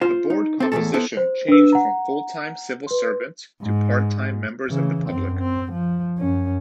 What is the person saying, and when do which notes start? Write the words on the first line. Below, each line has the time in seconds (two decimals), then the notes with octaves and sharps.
The Board composition changed from full-time civil servants to part-time members of the public.
0.01 F4 C5
0.30 D#4
0.60 C4 A4
0.72 E2 A2 F3 F#3 G#4 A4
0.93 B3 E4 A4 C5
1.17 C5
1.48 D4 B4 E6
1.73 F#5 A#5
2.87 B4 C6
3.62 G#2
4.67 C#3 E3
5.09 F#2 C4
5.39 C4
5.72 F3
6.18 F#2 C#4